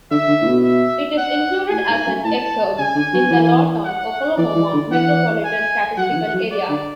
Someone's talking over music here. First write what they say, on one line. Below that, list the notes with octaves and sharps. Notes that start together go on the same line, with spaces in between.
It is included as an exurb in the Lawton, Oklahoma, Metropolitan Statistical Area.
D3 E5
D3
A2
B2
E5
F#5
A2 G#5
G#2
F#2
A2 A5
C#3 G#5
D3
F#3
E3
F#5
E3 D5
E3
D3
E3 F#5
G#5
F#3 F#5
D3
E3
F#3
D5
D3